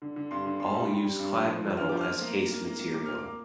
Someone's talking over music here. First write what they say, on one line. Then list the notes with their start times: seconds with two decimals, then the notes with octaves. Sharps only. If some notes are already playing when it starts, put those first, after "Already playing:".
All use clad metal as case material.
0.02 D3
0.16 D3
0.31 G2 C6
0.45 D3
0.60 G2 C6
0.74 G3
0.89 G3
1.03 G3
1.19 G2
1.34 F3
1.48 F3
1.62 F3
1.77 G2 F6
1.89 F3 D6
2.01 F6
2.07 F3
2.21 A#3
2.36 A#3
2.51 A#3
2.65 A#3
2.80 A#3
2.94 A#3 D6
3.06 A#2 F6
3.19 D6
3.24 A#3